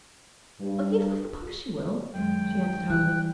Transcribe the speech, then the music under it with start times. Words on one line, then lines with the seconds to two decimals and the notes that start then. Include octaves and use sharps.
"Oh, yes, I suppose she will," she answered hurriedly.
0.60 G2
2.14 F#2 D#3 G#3 G5
2.90 E3 G3 F#6